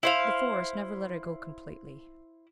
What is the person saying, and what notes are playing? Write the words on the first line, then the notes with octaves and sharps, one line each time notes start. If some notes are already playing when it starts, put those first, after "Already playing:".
The Forest never let her go completely.
E4 C5 F5